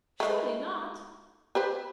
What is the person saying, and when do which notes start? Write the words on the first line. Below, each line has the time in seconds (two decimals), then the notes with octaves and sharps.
"Surely not?"
0.20 G#3 A3
1.55 G4 B4 C5